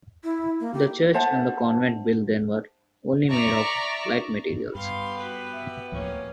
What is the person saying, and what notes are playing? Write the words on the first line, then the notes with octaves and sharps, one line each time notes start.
The church and the convent built then were only made of light materials.
E4
A#3
G4
C5 E5 F#5 A5
D5 E5 A#5 C#6
G2 B3 G4 F5 B5 C6
F#4 B4
E5
D2 A2 F3 A#3 C#4 C#5